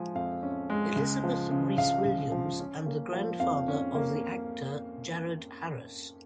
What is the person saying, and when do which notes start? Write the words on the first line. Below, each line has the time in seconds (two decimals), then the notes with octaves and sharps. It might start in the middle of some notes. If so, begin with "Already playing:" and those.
Elizabeth Rees-Williams and the grandfather of the actor Jared Harris.
Already playing: F3 G#3 G#5
0.15 F2 F5
0.43 C#4
0.70 G#3
0.96 C#2
1.24 F3
1.51 C#3
1.77 C#2 F5
2.05 C#2
2.32 F3
2.60 C#4
2.86 A#3
3.13 F3
3.40 F2 F5
3.68 C#4
3.95 A#3